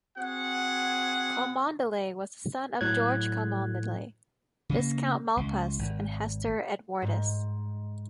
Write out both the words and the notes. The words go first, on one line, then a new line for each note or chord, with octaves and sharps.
Cholmondeley was the son of George Cholmondeley, Viscount Malpas, and Hester Edwardes.
C4 F#4 G#4 F#5
A2 F#3 F#6 G#6
C#3 A#3
C#2
G#1
G#2